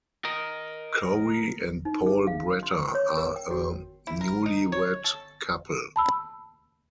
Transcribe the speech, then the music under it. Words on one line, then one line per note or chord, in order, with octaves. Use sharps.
Corie and Paul Bratter are a newlywed couple.
A#4 D#5
D#4
G#4
F5
C6
C#5
A#4
G5
F#4
E4
A#4
D#4
C#5
A4
A5 B5 E6